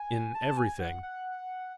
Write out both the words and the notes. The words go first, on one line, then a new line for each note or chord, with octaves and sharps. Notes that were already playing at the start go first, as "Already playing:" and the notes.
"In everything."
Already playing: G#5
A5
G#5
F#5
F#5